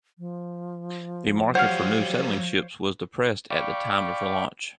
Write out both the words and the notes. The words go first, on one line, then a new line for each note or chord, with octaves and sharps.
The market for new sailing ships was depressed at the time of her launch.
F3
F#3 G4 C5 C#5 F5 F#5 F6
D5 F5 G5 B5 C#6 D6